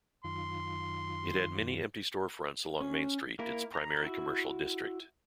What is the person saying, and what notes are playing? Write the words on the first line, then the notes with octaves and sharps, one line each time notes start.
It had many empty storefronts along Main Street, its primary commercial district.
F#2 D#3 F4 C6
C#4
A#3 E4 A#4
A#5
E4 F#4